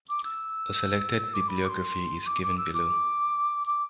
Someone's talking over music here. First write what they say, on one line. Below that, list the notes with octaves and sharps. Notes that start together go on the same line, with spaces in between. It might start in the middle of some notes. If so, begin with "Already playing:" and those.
A selected bibliography is given below.
D6
E6
D6
B5
D6
C6
D6
D6
E6
D6
D6